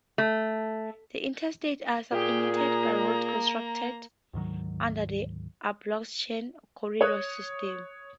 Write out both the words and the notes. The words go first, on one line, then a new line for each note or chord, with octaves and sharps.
The interstates are supplemented by roads constructed under the Appalachian Corridor system.
A3
A#2 G4 G#4 G5
A#3 A#5
D2 G#2 D#3 F#3
C#5 D#6 F#6